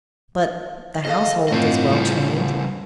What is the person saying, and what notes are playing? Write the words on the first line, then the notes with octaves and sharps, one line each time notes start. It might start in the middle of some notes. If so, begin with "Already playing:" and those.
But the household is well trained.
G#4 A4 D#5 F5
F#2 A2 C4 F4 D#5
C#3 E3 G3